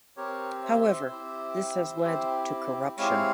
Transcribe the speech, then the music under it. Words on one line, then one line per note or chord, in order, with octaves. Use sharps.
However, this has led to corruption.
C4 G4 A#4 C#5
C5 E5
C4 E4 G4
C4 E4 G4
G#3 C4 E4 G4 C#5 F5